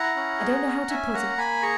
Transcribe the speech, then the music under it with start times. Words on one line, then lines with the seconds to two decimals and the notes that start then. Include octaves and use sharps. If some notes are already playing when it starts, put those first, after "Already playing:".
I don't know how to put it.
Already playing: E4 F#5 A#5
0.16 C#4
0.40 G#4
0.64 C#4
0.89 C#4 E5 G#5
1.14 A#3 F#5 A#5
1.38 A#3 G#5 B5
1.62 G#4 A#5 C#6